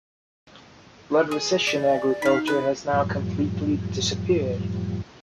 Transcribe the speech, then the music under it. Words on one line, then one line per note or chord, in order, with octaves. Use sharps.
Flood recession agriculture has now completely disappeared.
G#4
D5
D#4 F5 B5
G#4 B4
F#2 A2 F3 G3